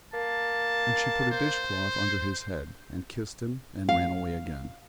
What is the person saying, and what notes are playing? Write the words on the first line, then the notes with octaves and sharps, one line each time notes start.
And she put a dish-cloth under his head, and kissed him, and ran away again.
A#3 A5
C5
F5